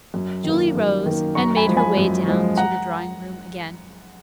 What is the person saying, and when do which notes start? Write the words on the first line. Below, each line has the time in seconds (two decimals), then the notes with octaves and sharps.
Julie rose and made her way down to the drawing-room again.
0.14 F#2
0.44 D#3 A#3
0.75 F#2
1.06 D#3 A#3
1.35 F#2 A#5 C#6
1.56 G#5 B5
1.66 F3 G#3
1.77 G#5 B5
1.98 F#2
2.28 F3 G#3
2.57 F#5 A#5